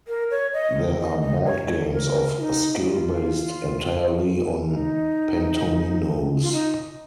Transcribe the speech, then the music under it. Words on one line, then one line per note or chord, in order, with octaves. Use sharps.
There are board games of skill based entirely on pentominoes.
A#4
C#5
D#5
D#5
D#5
C#5
A#4
F4
D#4
G4
F4
D#4
F4
D#4